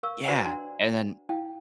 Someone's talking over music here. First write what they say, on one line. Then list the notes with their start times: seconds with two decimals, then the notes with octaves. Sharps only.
Yeah, and then
0.03 A#4 F5 C#6 E6
0.25 F#4 B4 C5 D5 D#5 F#5
0.45 D4 F#5 A#5 C6
1.29 E4 F5 G5